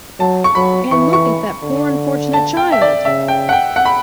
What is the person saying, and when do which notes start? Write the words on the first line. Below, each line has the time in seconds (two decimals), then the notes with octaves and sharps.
And look at that poor unfortunate child!
0.20 F#3 A5
0.44 C#6
0.55 F#3 B5
0.91 E3 C#6
1.13 C#6
1.63 D3
2.33 A5
2.57 G5
2.72 E5
2.82 D5
3.05 C#3 E5
3.28 G5
3.49 F#5
3.53 G5
3.76 F#5
3.86 B5